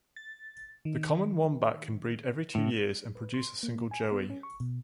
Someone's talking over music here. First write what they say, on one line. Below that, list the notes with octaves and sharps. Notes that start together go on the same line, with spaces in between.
The common wombat can breed every two years and produce a single joey.
A6
D#3
A2
B4
C6
A#3
G#5
B3
C#4
C#6
B2